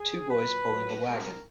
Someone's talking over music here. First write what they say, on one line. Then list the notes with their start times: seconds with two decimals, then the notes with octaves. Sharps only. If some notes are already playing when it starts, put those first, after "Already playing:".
Two boys pulling a wagon.
Already playing: G#4
0.29 A#2 F#3 B4
0.66 A#2 F#3
1.03 B2 G#3 A#4